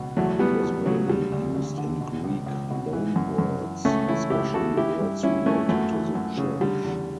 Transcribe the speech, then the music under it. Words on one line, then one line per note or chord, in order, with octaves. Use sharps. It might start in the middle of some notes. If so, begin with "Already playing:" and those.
It was mainly used in Greek loanwords, especially words relating to the Church.
Already playing: C#2 B2
E2 F#3 A3
E3 G3 B3
E2
C#3 F#3
D3 G3
D2
D2
D3
B2
C#2
C#2
B2
E3
F#2
F#2
E3
C#2 A3 C#4
E3 C#4 E4
C#2 E4 G4
C#3 F#4 A4
E3 E4 G4
G2
G2 C#4 E4
E3 A3 C#4
F#2 F#3 A3
E3
F#2
C#3
D3 G3
E2